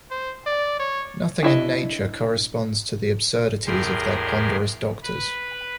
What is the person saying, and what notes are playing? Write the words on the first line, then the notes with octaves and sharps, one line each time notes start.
Nothing in nature corresponds to the absurdities of their ponderous doctors.
C5
D5
C#5
D4 E4 D#5
E2 A2 G4 G#4 A#4 C6
B4 B5